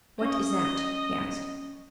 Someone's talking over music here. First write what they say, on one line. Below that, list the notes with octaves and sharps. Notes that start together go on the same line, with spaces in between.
"What is that?" he asked.
C#4 D#5 C#6